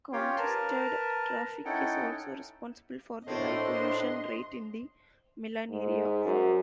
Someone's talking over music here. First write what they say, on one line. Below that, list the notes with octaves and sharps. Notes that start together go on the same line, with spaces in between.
Congested traffic is also responsible for the high pollution rate in the Milan area.
C#4 F4 G4 C#5 F5 G5
A#4 B4 A5 A#5
C#4 D#4 E4 A4 F#5 G5
A2 A3 A#3 C4 D4 D#5 C6
G#2
F#2